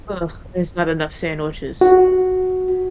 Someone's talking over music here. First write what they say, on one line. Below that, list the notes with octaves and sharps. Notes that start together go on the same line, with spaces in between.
uh, there's not enough sandwiches
F#4